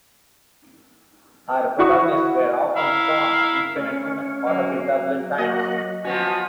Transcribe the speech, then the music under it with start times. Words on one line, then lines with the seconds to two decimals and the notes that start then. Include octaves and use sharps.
Her protagonists were often strong, independent women caught up in turbulent times.
1.79 E4 F#4 C#6 D#6
2.76 E4 A#4 F5
3.76 A3 C#4
4.47 F#3 A#3
5.38 A#3 F#4 D#5
6.05 F3 B3 C#4 F#4